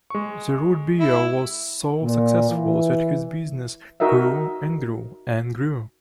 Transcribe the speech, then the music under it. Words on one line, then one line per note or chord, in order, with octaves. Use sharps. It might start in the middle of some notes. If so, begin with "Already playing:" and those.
The root beer was so successful, that his business grew, and grew, and grew!
G#3 C#6
E4
A#2
E3
D#4 F#4 A#4 D#5 E5